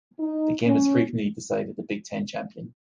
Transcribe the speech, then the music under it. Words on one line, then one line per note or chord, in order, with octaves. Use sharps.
The game has frequently decided the Big Ten Champion.
D#4
C#4